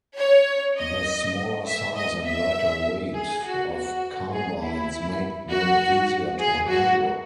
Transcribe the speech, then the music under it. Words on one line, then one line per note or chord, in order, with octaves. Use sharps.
The smaller size and lighter weight of carbines make them easier to handle.
C#5
D#5
E5
D#5
E5
G#4
F#4
F#4
G#4
E4
F#4
G#4
F#4